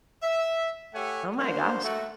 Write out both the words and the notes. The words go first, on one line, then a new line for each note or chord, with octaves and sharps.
Oh, my gosh.
E5
A3 G4 C#5 E5 F#5 G#5
A#3 D4 F#4 C5
A3 F#4